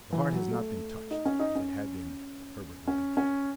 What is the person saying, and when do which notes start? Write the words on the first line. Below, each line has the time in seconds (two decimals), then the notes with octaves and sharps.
"The heart has not been touched; if it had been, Herbert would be dead!"
0.12 E3
0.32 F#3
0.51 A3
1.11 D#4
1.25 C#4
1.39 D#4
1.55 C#4
2.88 C#4
3.17 C#4